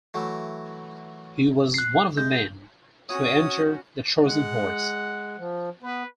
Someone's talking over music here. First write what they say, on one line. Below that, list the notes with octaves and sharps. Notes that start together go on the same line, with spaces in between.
He was one of the men to enter the Trojan Horse.
E3 F#3 A3
F#6 C7
G#3 G6
C#4 F#4 C#5 D#6
G#3 F#5
F3
B3 B4